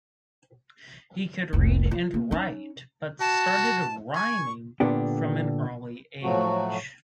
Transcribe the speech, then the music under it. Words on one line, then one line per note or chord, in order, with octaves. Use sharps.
He could read and write but started rhyming from an early age.
F1 C2
F4
A#3
C#4 D#4
F#4 A5
G#5 C#6
A#2 D3 B3 D4 G4
A2 F3 F#3 A3 F#4